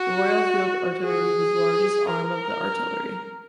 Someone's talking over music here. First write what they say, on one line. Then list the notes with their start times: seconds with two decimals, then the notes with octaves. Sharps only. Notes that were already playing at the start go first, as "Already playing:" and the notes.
The Royal Field Artillery was the largest arm of the artillery.
Already playing: F#4
1.04 G#4
2.12 A#4